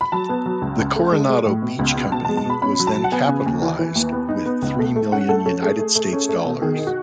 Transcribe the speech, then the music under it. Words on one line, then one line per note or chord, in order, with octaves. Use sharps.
The Coronado Beach Company was then capitalized with three million United States dollars.
B5
F#3 A5
B3
F#3
C#2
C#2
A3
G#3
G#3
A2
B2
C#2
B2
B2 A5
A5
G#3
A5
B2 B5
C#4 B5
F#3
A5
F#3
F#5
B3 G#5
C#3
D#2
E3
E3
D#2
B3
D#4
B3
C#2
A3
A3
C#4 F#5
A3 A4
C#4 A4
A3 G#4
A3
A3
C#4
A3
B2
D#3 G#4
D#4
F#4